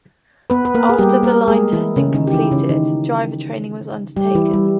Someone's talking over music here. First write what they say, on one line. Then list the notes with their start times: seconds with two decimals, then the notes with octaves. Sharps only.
After the line testing completed, driver training was undertaken.
0.50 B3 B4
0.65 B4
0.75 A#3 A#4
0.89 G#4
0.99 G3 G4
1.23 A#3 A#4
1.48 G#3 G#4
1.72 E3 E4
1.96 C#3 C#4
2.14 D#3 D#4
2.27 G4
2.33 E3 E4
2.51 C#3 C#4
2.70 D#3 D#4
4.16 G3 G4
4.35 E3 E4
4.54 G3